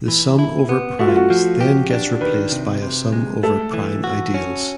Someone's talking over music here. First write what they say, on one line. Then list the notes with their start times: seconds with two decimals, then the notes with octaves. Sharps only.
The sum over primes then gets replaced by a sum over prime ideals.
0.08 E3
0.39 E4
0.69 B3
0.99 A3 F#4
1.07 F4
1.16 F#4
1.30 F3
1.61 G4
1.91 D4
2.21 D#3 B4
2.52 C3
2.82 C3
3.12 G#3
3.43 A3 A4
3.74 E3
4.04 F#4
4.34 C#4